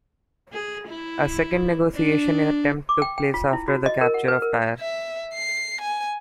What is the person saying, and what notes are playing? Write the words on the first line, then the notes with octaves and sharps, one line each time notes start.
A second negotiation attempt took place after the capture of Tyre.
G#4
E4
D4
D6
G5
G5
F4
E4
F#4
D#5
A#4
F#5
B4
A#4
E5
C7
G#5